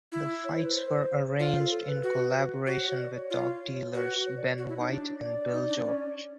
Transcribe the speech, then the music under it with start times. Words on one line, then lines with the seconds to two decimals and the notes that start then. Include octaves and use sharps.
The fights were arranged in collaboration with dog dealers Ben White and Bill George.
0.12 E4
0.44 C#5
0.55 C5
0.65 B4
0.76 C5
1.39 F4 C#5
1.49 C5
1.60 A4
1.71 A4
1.87 B4
2.03 F#4
2.66 F#4 C#5
2.77 C5
2.88 C#5
2.98 D5
3.15 C#5
3.30 F4
3.94 F#4 B4
4.26 C#5
4.37 D5
4.47 C#5
4.58 F#4
4.69 E4
4.78 D#4
4.90 D4
5.21 D5
5.53 D#4
5.69 D4
5.85 C#4